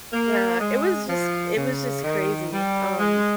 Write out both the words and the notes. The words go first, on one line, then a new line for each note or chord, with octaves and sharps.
Yeah. It was just cr it was just crazy. Um,
A#3
G#3
F3
C#3
D#3
G3
G#3